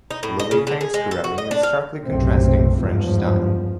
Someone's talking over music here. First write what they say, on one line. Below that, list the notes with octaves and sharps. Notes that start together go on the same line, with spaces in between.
Lully thanks Corelli in starkly contrasting French style.
D#4
A2
D#5
C#3
D3
G#4
G#3
A4
F#4
D#5
D4
F5
F#1 B1 A2 C3 A3 C4
G#1 E2 G2 F3